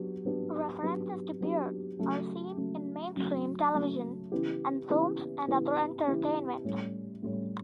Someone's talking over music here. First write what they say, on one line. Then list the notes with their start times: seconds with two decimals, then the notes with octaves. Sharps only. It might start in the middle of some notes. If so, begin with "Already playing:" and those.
References to beards are seen in mainstream television and films, and other entertainment.
Already playing: F#3 B3 D4 G4
0.25 F#3 B3 D4 G4
0.82 F#3 B3 D4 G4
1.41 F#3 B3 D4 G4
1.99 C#3 F#3 A3
2.57 C#3 F#3 A3
3.16 C#3 F#3 A3
3.74 C#3 F#3 A3
4.32 C#3 E3 B3 E4 G4
4.90 C#3 E3 B3 E4 G4
5.48 C#3 E3 B3 E4 G4
6.07 C#3 E3 B3 E4 G4
6.65 A2 G3 C#4
7.23 A2 G3 C#4